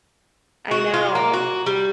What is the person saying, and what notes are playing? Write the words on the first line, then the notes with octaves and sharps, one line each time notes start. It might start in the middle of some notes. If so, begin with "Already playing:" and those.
I know.
F#4
F4
A#3
F#4
G3